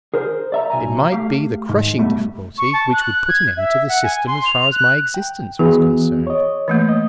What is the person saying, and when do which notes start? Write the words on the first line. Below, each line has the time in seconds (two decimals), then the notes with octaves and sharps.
It might be the crushing difficulty which would put an end to the system as far as my existence was concerned.
0.14 G#4 A#4 C5
0.52 D5 E5 A#5
0.70 B1 G#5 A#5
1.11 A3 G4 F5
1.69 G#2
1.98 G2 B2 G3 A3
2.58 C#6
2.73 A5
2.93 F#6
3.28 G#6
3.57 E5
3.89 F#5
4.03 G#5
4.27 C6
4.46 F7
4.72 F#6
5.14 G5
5.59 E3 B3 F#4 G#4
6.27 C#5 D#5
6.68 E3 A3 A#3
6.89 D#5